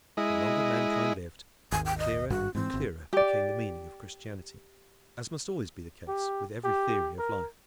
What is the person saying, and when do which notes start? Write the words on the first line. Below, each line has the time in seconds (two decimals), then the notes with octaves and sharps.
The longer mankind lived, the clearer and clearer became the meaning of Christianity, as must always be the case with every theory of life.
0.17 G#3 E4 D#5
1.72 G#1 D#2 G#5
1.85 G5
1.98 D#5
2.30 G#1 G2 F#4
2.55 G#2 E3 C4
2.74 G1
3.13 G4 D5
6.08 G4
6.64 G4
7.18 A#4